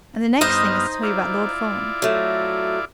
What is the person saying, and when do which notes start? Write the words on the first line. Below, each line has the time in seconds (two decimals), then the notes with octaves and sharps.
"And the next thing is to tell you about Lord Fawn."
0.41 G2 B3 D#4 C5 D#5 F6
1.03 E4 F4 D5
2.02 F#3 A3